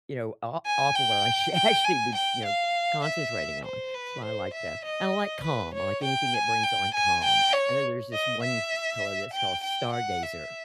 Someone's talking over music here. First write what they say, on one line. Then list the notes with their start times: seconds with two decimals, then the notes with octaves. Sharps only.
you know, o off of what I sh should actually be, you know, concentrating on. So I like that, and I like calm- I like anything that brings on calm. I know there's this one color that's called Stargazer,
0.66 G#5
0.95 G5
1.54 G5
1.84 G#5
2.15 G5
2.45 F5
3.05 E5
3.64 C5
3.94 B4
4.24 C5
4.53 E5
4.85 D#5
5.43 B4
5.74 C#5
6.04 G5
6.34 G#5
6.63 G5
6.94 G#5
7.24 G5
7.53 C#5
8.12 D#5
8.43 E5
9.33 G5
9.63 G5
9.93 F#5
10.22 E5